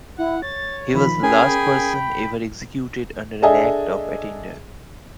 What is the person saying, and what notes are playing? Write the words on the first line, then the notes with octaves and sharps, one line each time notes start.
He was the last person ever executed under an Act of Attainder.
E4 F#5
C#5 A6
D#3 F3 B5
C#4 G#4 A#4 G5 G#5
D4 G#4 A4 D#5 E5 G#5